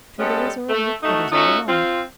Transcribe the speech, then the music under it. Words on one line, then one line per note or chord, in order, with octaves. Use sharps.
Two days or a week, it is all one.
G3 G#3 B3 C#4 A4
A3
A3 D#4 F#4
A3 C#4 D#4 F4 F#4 A4
C4 F4 F5